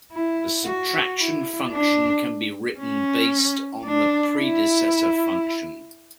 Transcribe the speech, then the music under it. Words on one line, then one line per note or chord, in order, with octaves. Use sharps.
The subtraction function can be written based on the predecessor function.
E4
F#4
E4
D4
C#4
D4
E4